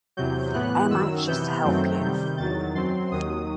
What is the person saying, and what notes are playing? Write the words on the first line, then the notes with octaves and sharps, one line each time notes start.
I am anxious to help you.
E2 C3 F#3 G6
A2 E3 B3 F#6
F#2 D#3 F#3 E6
C3 E3 B3 G6
F#2 D#3 F#3 A3 C4 G6
C3 D#3 G3 G6
E2 D#3 F#3 A6
F#2 F#3 C4 C6
D#2 D#3 F#3 D#6